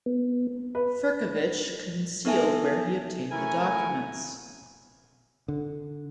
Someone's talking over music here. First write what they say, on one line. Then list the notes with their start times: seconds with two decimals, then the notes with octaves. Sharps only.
Firkovich concealed where he obtained the documents.
0.06 B3
0.75 B4
2.25 B3 D#4 A4 E5 G#5 A5
3.31 E3 A3 C#4 E4 A#4 G#5
5.48 D3